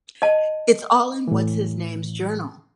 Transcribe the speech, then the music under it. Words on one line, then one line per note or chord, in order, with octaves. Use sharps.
It's all in what's-his-name's journal.
D#5 A5
A2 E3